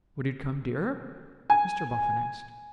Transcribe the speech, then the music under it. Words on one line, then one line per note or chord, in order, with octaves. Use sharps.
'Would it come dearer?' Mr Boffin asked.
G#5